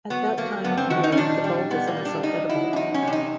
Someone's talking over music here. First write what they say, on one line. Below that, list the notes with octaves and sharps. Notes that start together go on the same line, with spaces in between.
At that time of year, the bulb is also edible.
F#3 B3
A3 A#3
G2 B3
C4
D#3 F#4
D#4
C#4
A#2 D4
G3
A#2 B3
A#3
G3
D4
D#3 D#4
F#3 E4
D4
E2 D#4
C#4
C3
D4
D#4